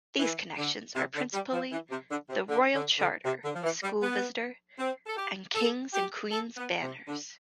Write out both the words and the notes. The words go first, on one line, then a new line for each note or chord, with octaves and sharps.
These connections are principally The Royal Charter, School Visitor, and King's and Queen's Banners.
E3
D3
C3
D3
G3
F3
E3
C3
D3
C3
D3
D3
D3
C3
D3
F3
E3
G3
B3
C4
A4
G4
A4
G4
A4
B3
C3
D3